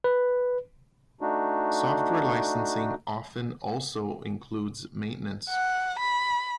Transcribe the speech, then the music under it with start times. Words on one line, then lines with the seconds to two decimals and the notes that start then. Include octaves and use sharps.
Software licensing often also includes maintenance.
0.04 B4
1.21 A3 D4 D#4 F#4
5.50 F#5
5.99 B5